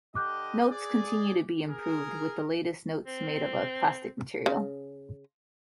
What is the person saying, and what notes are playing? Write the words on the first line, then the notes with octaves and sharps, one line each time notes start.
Notes continue to be improved, with the latest notes made of a plastic material.
D3 G4 D#5 D6 F#6 G6
G#4 D5
G#4 A#4
C4
C#3